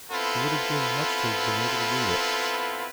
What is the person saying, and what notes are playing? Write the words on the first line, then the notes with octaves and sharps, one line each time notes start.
He would have given much to have been able to read it.
B3 C4 E4 F4 A4 B4